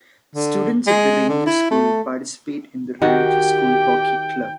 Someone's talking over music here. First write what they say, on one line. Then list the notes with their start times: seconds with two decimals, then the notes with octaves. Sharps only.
Students at the Ranger School participate in the Ranger School Hockey Club.
0.36 D3
0.87 G#3
1.29 D3
1.46 E4
1.71 A3
3.02 D#3 F#4 G4 G5